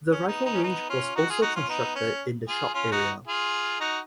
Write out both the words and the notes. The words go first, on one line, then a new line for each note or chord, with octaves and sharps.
The rifle range was also constructed in the shop area.
C#4
B3 D#4
B3 D#4
C#4
B3 D#4
C#4 F4
D#4 F#4
F4 G#4
D#4 F#4
C#4 F4
B3 D#4
C#4
F4 G#4
C#4 F4
D#4 F#4
F4 G#4
D#4 F#4